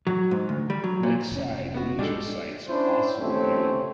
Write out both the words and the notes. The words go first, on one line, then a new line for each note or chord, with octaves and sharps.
Lakeside leisure sites are also available.
F#3
G#2
D2
G3
F#3
A#2
F1 C#4
B3 F#4
G3 G#3 D4 A4
C#4 D4 E4 C5
D#2 A3 C4 C#4